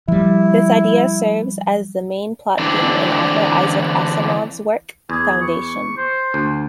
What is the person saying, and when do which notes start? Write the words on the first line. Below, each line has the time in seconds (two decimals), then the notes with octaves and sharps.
This idea serves as the main plot theme in author Isaac Asimov's work, "Foundation".
0.08 F3 G3 E4
2.59 D3 E3 C4 D4
5.10 E2 G#4
5.42 C#6
5.97 C5
6.34 D2